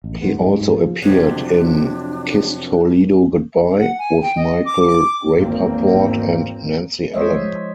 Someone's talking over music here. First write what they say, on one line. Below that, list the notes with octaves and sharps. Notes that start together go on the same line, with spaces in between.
He also appeared in "Kiss Toledo Goodbye" with Michael Rapaport and Nancy Allen.
A1
D1 G#2 B3
G#2 G#3
G#2
F3
F2 C3 F#3 D4
F#5
G#5
G5
D#5
D6
D6
G#1 E2 A#3 C4
F3 G#3 C5 C#5 D#5 E5